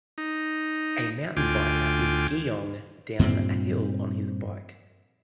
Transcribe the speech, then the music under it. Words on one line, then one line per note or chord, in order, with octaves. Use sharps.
A mountain biker is giong down a hill on his bike.
D#4
D2 F4 G5 G#5 D6
G2 A#2 B3 C4